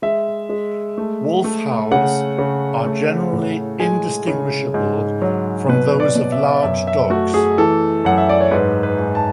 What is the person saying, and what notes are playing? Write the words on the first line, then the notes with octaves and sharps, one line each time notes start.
Wolf howls are generally indistinguishable from those of large dogs.
G#3 E5
G#3
A3
A3
C#3 F#5
C#3
A3
A2
G#3 G#5
C#3
G#2
F#3
B2 B4
D5
B2
E5
F#2 E5
E5
A3 F#4
G#4
E3 A4
F#2 F#5
E5
D5
C#5
G#2 B4
B4
G#2
A5